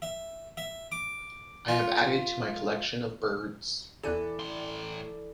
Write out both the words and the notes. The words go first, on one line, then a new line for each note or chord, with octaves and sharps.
I have added to my collection of birds.
E5
E5
D6
F4
E2 E3 A4 D5 F#6 D#7
A2 C6